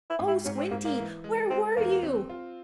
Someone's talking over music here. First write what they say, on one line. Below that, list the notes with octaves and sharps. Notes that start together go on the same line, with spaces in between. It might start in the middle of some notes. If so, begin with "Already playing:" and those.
"Oh, Squinty, where were you?"
E4
G#2
E4
G#2 C#4
C4
G#2 A#3
A#3
E3
G#3
G#3 C4
E2 A#3
C4
F4